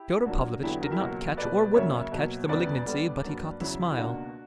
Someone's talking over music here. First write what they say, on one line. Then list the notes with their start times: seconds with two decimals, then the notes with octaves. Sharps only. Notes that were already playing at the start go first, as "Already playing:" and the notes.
Fyodor Pavlovitch did not catch, or would not catch, the malignancy, but he caught the smile.
Already playing: E4 G4
0.26 A#2 F#3 A#3 D4 F#4
0.63 E2 D3 F#3 B3 E4 G4
0.81 F#4 A#4
0.90 E4 G4
1.00 C#2 B2 F#3 A#3 F#4 A#4
1.37 B2 A#3 B4 D5
1.74 F#2 C#3 F#3 A#3 C#5 E5
2.12 B2 F#3 A#3
2.49 E2 C#3 G3 B3 B4 D5
2.85 D2 D3 G3 B3
3.23 G2 F#3 A#3
3.60 E2 C#3 F#3 E4
3.91 E4
3.96 C#2 B2 A#3 D4 F#4